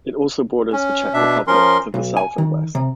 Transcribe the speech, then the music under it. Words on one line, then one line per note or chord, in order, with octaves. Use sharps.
It also borders the Czech Republic to the south and west.
C#4
B2 D4 E5
F3 C#4 A#4 C6
B1
G#5
D#3
C3